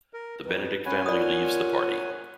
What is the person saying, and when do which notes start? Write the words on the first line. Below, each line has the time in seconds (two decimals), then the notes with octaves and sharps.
The Benedict family leaves the party.
0.13 A#4
0.45 F2 B4
0.86 C#4 C#5 F#5 G#5 B5
1.06 F4 A#4 D5 D#6